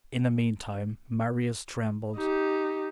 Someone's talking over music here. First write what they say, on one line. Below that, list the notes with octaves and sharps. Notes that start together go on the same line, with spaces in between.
In the meantime, Marius trembled.
D#4 G4